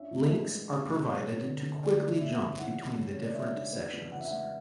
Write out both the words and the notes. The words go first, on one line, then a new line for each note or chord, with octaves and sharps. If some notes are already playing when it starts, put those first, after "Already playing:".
Links are provided to quickly jump between the different sections.
Already playing: C#4 D4 E5
A2
G#3
B3
D4
B2
F#3 C#5
B3
D3
D3
A3 D5
E4
C#3 E5
C#3
E3 F#5
G#3
C#3
C#5
C#3
D5
G#3 E5
D4
B3 D5
E2
C#3 F#5
E5
F#5
G#3